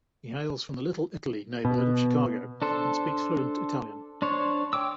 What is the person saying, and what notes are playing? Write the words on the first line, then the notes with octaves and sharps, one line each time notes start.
He hails from the Little Italy neighborhood of Chicago and speaks fluent Italian.
B2
D4 A4 C5
D4 C5 C#5
C#5 G5 D6 E6